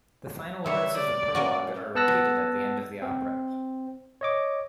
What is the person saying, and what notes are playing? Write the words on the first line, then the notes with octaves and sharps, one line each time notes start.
The final words of the prologue are repeated at the end of the opera.
G3 C#5 E5
D5
A#3 C#4 F#4
B3 F#5 A5 E6 F#6 A#6
C4
C#5 D#5 D6